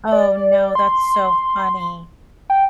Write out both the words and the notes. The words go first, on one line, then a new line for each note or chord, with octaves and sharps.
Oh, no. That's so funny.
D5
C6
G5